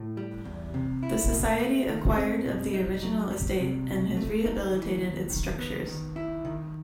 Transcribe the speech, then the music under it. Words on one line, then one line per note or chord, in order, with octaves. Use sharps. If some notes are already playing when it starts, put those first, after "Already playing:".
The Society acquired of the original estate, and has rehabilitated its structures.
Already playing: A2
G3
E2
C3
E4
B2
A3
D#3
C4
B2
D#4
F#3
G3
C3
B2
A3
D#4
E3
D#2
D#3
B3
D#3
E4
D#3